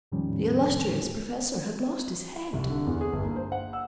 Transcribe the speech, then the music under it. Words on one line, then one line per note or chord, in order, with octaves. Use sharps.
The illustrious professor had lost his head.
E2 A2 D#3 F3 G3 C#4
C2
D3
E2
G#4
G1
A#3
C5
F#5
E6